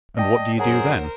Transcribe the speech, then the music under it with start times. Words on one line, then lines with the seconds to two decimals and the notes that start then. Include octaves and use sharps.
"And what do you do then?"
0.17 D5 D#5 G5 A5
0.58 F#2 G#4 A#4 C5 C#5 F#5 A#5